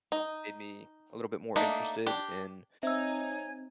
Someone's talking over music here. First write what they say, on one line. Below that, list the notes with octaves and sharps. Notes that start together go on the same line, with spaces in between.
made me a little bit more interested in
D#4
A3 A#3 D4 D#4
D4 G4
C4 D#4 C#5 E5 G#5 E6 G#6